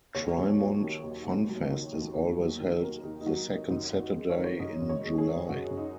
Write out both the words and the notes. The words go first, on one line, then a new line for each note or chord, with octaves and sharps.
Trimont FunFest is always held the second Saturday in July.
D#2 C#5
D#2
F#3
D#3
D#2
D#2
F#3
D#3
D#2
D#2
F#3
D#3
D#2 A#4
D#2 D#4
D#4
F#3 F#4
D#3
F#2 D#4
F#2
F#4
G#3
C#5
D#3 A#4
C#5
F#2 D#5
F#2
C#5
G#3
G#4
D#3
F#2 F#4
F#2
D#4